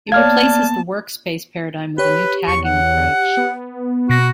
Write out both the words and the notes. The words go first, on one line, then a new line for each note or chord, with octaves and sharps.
It replaces the workspace paradigm with a new tagging approach.
A#3 B3 C#5 D5 F5 A5 F6 G#6
G4 B4 C#5
E2 C#6
F#5
B3
B2 F#4 A#6